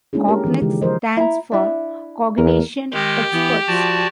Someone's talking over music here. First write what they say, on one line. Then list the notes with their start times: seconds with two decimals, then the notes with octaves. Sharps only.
Cognex stands for Cognition Experts.
0.13 G#3 A#3 C#4 D4 E4 G#4
0.29 G4 A#4
0.45 D#3 E3 D#4
0.62 C#3 G#3 G4
0.81 F3 A#4 C5 D#5
1.17 E4 A#5
1.52 D4 E4
2.38 E2 A#4
2.93 D#3 G#3 G4
3.32 E3 B3
3.68 F3 F#4 D5 A5